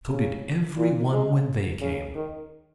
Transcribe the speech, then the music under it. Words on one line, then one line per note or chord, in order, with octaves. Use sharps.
So did every one when they came.
C#3
A#2
G#3
C#3
D#3